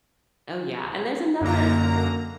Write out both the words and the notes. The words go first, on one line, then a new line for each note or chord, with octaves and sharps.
Oh yeah, and there's another,
F#2 D3 A#3 A#5